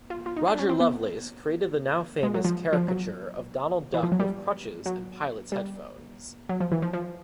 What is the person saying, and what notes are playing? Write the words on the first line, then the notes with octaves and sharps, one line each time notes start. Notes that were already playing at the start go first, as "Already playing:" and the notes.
Rodger Lovelace create the now-famous caricature of Donald Duck with crutches and pilot's headphones.
F4
F4
D#4
D4
C#4
C4
B3
G#3
F#3
F3
F3
F#3
E3
F3
F#3
G3
F#3
G3
F#3
F3
E3
F3
F3